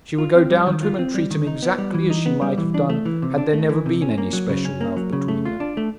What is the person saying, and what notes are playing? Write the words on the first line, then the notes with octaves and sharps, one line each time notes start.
She would go down to him and treat him exactly as she might have done, had there never been any special love between them.
F4
C4
G3
D#3
F4
C4
G3
D#3
D#4
B3
G3
E3
D#4
B3
G3
E3
D4
A3
E3
C3
D4
A3
E3
C3
C#4
A#3
F#3
C#3
C#4
A#3
F#3
C#3
A3
F4
D4
A3